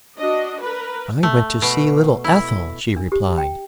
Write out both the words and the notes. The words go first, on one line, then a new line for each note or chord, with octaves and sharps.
"I went to see little Ethel," she replied.
D4 F#4 D#5
A#4 B4
A3
B2
E4
D4
G4
G5